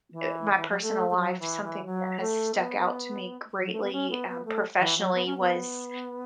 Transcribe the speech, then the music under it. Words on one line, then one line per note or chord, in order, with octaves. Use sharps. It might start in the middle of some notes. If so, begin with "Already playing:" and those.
uh, my personal life, something that has stuck out to me greatly, um, professionally was,
E3
E3
F#3
A3
A3
F#3
E3
E3
F#3
A3
B3
F#3
A3
B3
C#4
B3
B3
A3
E3
F#3
B3
C#4
B3